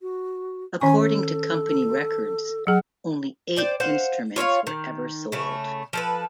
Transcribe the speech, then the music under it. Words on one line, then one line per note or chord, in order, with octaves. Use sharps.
According to company records, only eight instruments were ever sold.
F#4
D#3 C#4 G#5 C#6
A4
F#3 G#4 F#5
C5 D5 G5
C5 F5 F#5
F4 C#5 E5 F5
D#3
C#3 A3
F3 A4 B4